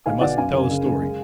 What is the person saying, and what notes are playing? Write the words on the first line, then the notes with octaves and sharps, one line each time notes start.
I must tell a story.
B1 F5 G#5
B2 D5 F#5
F#2 F5 G#5
F#1
C#3
F#2
G#3